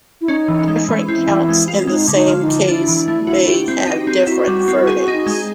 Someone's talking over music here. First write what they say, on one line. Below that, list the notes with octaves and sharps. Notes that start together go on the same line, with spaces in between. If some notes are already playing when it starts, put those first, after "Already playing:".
Different counts in the same case may have different verdicts.
E4
C#4 D#4
E3
G#3
E3
C4 E4
E3
G#3
F4
G#3 D#4
D3
D#4
F3
D#4
D3
D4 E4
E3
A3
F#4
G4
C4
D#4
C4
E4 F#4
G3
C4
G#4
D#4
G#3